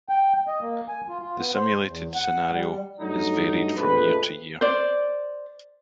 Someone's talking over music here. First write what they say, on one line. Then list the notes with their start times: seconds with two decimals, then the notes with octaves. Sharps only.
The simulated scenario is varied from year to year.
0.09 G5
0.48 D#5
0.61 A#3
0.88 G#5
1.08 F4
1.22 F4
1.38 B3
1.55 C5
1.84 E2
2.14 F#5
2.53 G3
3.00 G2 F#3 A3 D#4
3.76 A#1 F2 A3 A4 B4
4.61 C5 D5